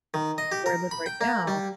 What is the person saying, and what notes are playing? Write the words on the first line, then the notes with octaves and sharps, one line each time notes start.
Where I live right now,
D#3
D#5
G4
A#4
B5
G5
A#3
G3